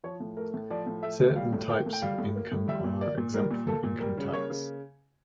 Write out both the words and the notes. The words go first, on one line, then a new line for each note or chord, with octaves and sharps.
Certain types of income are exempt from income tax.
F3 C#5
A2
A3 A#4
A2
F3 D5
A2
A3 E5
A2
G3 F5
A2
A#3 G5
A2
G5
G3 F5
A2
A#3
A2
G3 E5
A#2
A#3 D5
A#2
G3 A#4
A#2
A#3 A4
A#2
G3 A#4
C#3
A#3 C#5
C#3